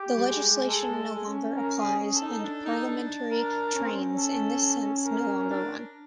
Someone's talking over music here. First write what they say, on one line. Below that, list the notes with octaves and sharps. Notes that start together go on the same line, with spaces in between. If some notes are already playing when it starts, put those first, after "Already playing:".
The legislation no longer applies and "parliamentary trains" in this sense no longer run.
Already playing: G4
G3
G#3
G#3
G#3 A4
G#3
G#3
C#4
C#4
A#4
G#4
C#4
A4
D#4
A4
D4
D#4
D4
A#4
C#4
C4
C#4
A4
A#4
D4